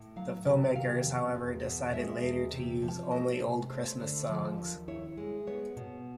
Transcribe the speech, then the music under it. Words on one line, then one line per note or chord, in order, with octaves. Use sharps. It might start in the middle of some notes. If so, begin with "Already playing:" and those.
The filmmakers however decided later to use only old Christmas songs.
Already playing: A2
F#3 F5
C3
D#3 F5
F2
E2
B2
G#3 E5
E2
C3
F3
A3 D#5
C3
A3 C5
D3
F3
D#2
E4 C#5
G#3
B3 C#5
B2